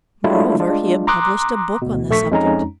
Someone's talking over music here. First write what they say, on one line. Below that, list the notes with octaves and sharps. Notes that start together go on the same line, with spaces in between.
Moreover, he had published a book on the subject.
F#3 G#3 A3 D4 E4 F4
G#3 D4 F4
A#5 C6 D6 D#6 F#6
D2 B2
A#1 A3 A4 C#6 B6
F2 G#3 C#4 D#4 A#5